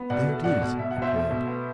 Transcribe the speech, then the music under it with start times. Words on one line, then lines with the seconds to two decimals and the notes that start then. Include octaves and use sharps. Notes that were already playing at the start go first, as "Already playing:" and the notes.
"There it is!" I cried.
Already playing: B3
0.10 B2 D5 F#5
0.27 A3
0.44 B2 D5 F#5
0.61 B2
0.79 B2 E5
0.91 F#5
0.97 B2
1.02 C5 E5
1.14 A3
1.31 B2
1.48 B3